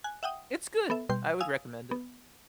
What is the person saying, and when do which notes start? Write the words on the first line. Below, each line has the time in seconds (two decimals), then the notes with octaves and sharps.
It's good, I would recommend it.
0.04 G#5 F#6
0.23 E5 F#5 G5 D#6
0.90 B3 A4 E5
1.09 B2 G3 C6 G6
1.40 F5 G#5 D#6 E6
1.91 B3